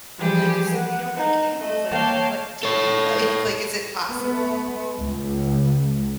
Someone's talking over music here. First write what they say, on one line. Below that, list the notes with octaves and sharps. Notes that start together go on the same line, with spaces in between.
like, so you don't like animals, like, what do you like? Like, is it possible
E3 F3 G3 G4 G#4
F#5
D#4
A3 D#5
A#3 C#5 F5 G5 A5
A4 C#5
B3
C#2